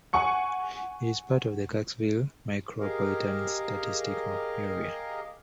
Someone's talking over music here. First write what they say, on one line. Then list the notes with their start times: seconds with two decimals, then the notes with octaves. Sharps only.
It is part of the Kirksville Micropolitan Statistical Area.
0.13 F#5 G#5 C#6 C#7
2.80 G4 G#4 A#4 D#5 F5